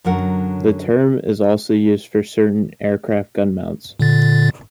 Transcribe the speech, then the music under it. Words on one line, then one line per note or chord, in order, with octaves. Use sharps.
The term is also used for certain aircraft gun mounts.
F#2 D3 F#3 A#4 F#5
A#2 D3 A6